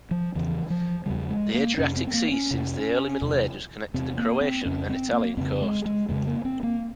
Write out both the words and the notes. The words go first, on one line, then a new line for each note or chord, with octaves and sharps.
The Adriatic Sea since the Early Middle Ages connected the Croatian and Italian coast.
F3
E2 C#3 E3
F3
E2 C#3 G3
G#3
A#3
F2 C3 C#4
C4
C4
A#3
C#4
F2 C3
E2 C3
E2 C3 C4
A#3
C4
F2 C#3 C#4
C4
A#3
F2 C#3 C4
G#3
G#3
F2 C#3 G#3
A#3
C4
A#3